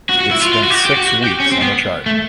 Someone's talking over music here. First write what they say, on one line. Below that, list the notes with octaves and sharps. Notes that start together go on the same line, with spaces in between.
It spent six weeks on the chart.
F#4
F#4
E4
F4
F4
F#4
G4
F#4
G4
F#4
F#4
G4
C#4
C4
B3
A3